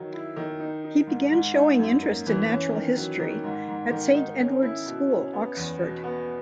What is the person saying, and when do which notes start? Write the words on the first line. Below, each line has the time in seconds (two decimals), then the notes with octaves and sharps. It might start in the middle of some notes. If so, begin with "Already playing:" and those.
He began showing interest in natural history at Saint Edward's School, Oxford.
Already playing: D#3 F#3
0.13 E4
0.36 D#3
0.60 D#4
0.84 D#4
1.07 G#2
1.32 G#2
1.55 D#4
1.79 F#2
2.03 A#3
2.26 E3
2.50 C#4
2.72 D#3
2.97 F#3
3.20 D#3
3.44 G#2
3.68 G#2
3.91 D#3
4.15 D#4
4.38 C#4
4.62 E4
4.86 B2
5.09 C#4
5.33 B3
5.57 E2
5.81 B2
6.04 B3